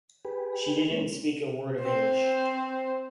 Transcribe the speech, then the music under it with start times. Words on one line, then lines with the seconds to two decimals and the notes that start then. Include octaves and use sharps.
She didn't speak a word of English.
0.25 G4 G#4 B4
0.91 G#3 A#3 C4 C#4
1.79 C4 C5